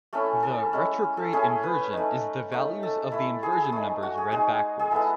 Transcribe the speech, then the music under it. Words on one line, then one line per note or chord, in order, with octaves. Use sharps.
The "retrograde inversion" is the values of the inversion numbers read backwards.
A3 C#4 E4 A4
A4
G#3 C#4 E4
A4
A3 C#4 E4 G#4
B4
A3 D#4
A3 D#4
A4
A3 E4
G#4
A4
G#4
A3 D#4
F#4
G#4
G#3 D#4 G#4
G#4
G#3 B3 E4 A4